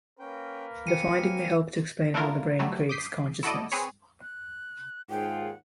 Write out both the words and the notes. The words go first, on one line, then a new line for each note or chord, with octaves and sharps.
The finding may help to explain how the brain creates consciousness.
A#3 C#4 A#4 B4 G5
C4 G#5 C#7 D#7
A3 D4 E4 F4 A#4
F#3 G3 A3
D6 D#6 G6 B6 C7
E4 F#4 A4 D5 D#5
C4 G#4 B4 C#5
F#6
D#2 G#2 F4 G#4 F#5 G5